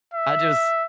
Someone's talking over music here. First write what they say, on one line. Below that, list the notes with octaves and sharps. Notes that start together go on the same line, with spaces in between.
I just,
E5